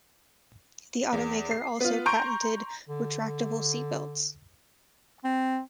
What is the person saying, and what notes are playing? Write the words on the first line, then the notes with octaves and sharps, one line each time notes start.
The automaker also patented retractable seatbelts.
E2
C7
B3 F4
A#5 C6 C#6 G6 D7
D3
C4